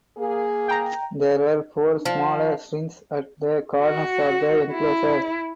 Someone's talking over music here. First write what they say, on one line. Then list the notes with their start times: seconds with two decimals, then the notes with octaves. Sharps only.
There were four smaller shrines at the corners of the enclosure.
0.18 A#3 G#4
0.68 G5 A#5
2.05 F3
3.80 F#4
4.73 E4